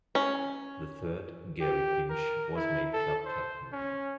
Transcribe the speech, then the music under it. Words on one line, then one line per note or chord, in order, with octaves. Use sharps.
The third, Gary Pinch, was made club captain.
C#4
G4
A#4
E4
A4
C5
C#4